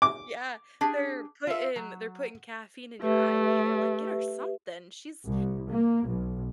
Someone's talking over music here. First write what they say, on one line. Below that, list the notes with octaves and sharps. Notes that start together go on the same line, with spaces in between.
Yeah, they're putting they're putting caffeine in your IV, they're like, "Get her something, she's
D6
D4 G4 G#4
F4 E5
F#3
A3 G4 B4 E5
C2
A#3
B1